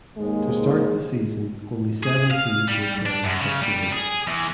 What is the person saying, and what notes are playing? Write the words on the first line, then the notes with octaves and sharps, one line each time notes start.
To start the season only seven teams will play with spectators.
D#2 G#2 G#3
G#4
F5
G3
D4
F#2
C#3
G3
G#4
E2